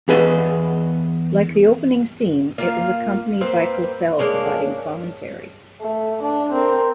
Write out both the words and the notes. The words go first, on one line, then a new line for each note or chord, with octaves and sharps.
Like the opening scene, it was accompanied by Cosell providing commentary.
E2 G#4 B4 D#5
A#3 F4 F5
A#3 C4 B4 C5
G#3 A#3 D4 C#5
A3
D4
C4 A#4